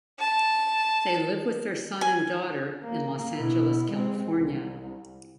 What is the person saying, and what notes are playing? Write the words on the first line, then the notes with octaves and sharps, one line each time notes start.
They live with their son and daughter in Los Angeles, California.
A5
G#5
A#3
B2 E4
G#3 C4
C2